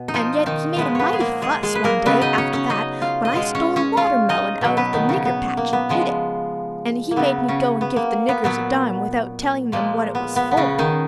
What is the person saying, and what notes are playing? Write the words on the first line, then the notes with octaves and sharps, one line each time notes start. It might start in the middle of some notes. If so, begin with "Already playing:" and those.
And yet he made a mighty fuss, one day, after that, when I stole a watermelon out of the nigger-patch and eat it; and he made me go and give the niggers a dime without telling them what it was for.
Already playing: B2
D#4
F3 F4
D#3 D#4
A#2 F3 G#3 B3 B4
B3 B4 C#5
G#4
A#3 A#4
G#3 G#4
G#3 G#4
B4
A#3 A#4
C#3 F#3 B3 B4
D#4 D#5
C#4 C#5
C#4 C#5
D#4 D#5
F4 F5
D#5
B2 G#3 F4 F5
C#4 C#5
C#4 C#5
F4 F5
D#4 D#5
B2 F#3
B3 B4
D#3 D#4
C#3 C#4
B3
A#3
B3
C#3 F3 G#3
A#3
C#3 F#3 B3
C#3 C#4
B3
A#3
B3
A#2 F#3 B3
A#2 F3 G#3 A#3
B3
B3
B3
C#3 C#4
D#3 D#4